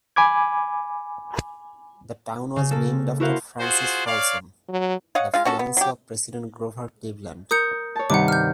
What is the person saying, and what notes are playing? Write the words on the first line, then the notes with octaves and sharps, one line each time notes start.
The town was named after Frances Folsom, the fiancee of President Grover Cleveland.
G#5 B5 D6 G#6
C#3
A#3 A4
E4 F#4 A#4 C5 F5 F#5
F4 F#4 G#4 C5
C#5 D5 F5
F#3
C#5 D#5 F5 F#5
G#3 F4 F5
C#4 F#4 A4
B3
F#3 G4
A#4 D#6 G6 C#7
C#5 A5
G2 C3 D#3 F#5 D6
F6 G6